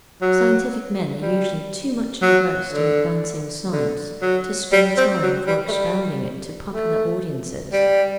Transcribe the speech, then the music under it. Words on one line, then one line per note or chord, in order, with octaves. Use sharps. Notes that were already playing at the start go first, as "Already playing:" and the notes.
Scientific men are usually too much engrossed in advancing science to spare time for expounding it to popular audiences.
F#3
G3
F#3
D3
D3
F#3
G3
C4
F#3
G3
A3
G3
A3
G3